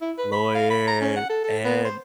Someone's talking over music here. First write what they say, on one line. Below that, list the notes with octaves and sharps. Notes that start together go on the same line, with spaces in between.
lawyer, and
E4
B4
B5
F5
B5
A#5
C#4
F#5
A4
A4
B3
C5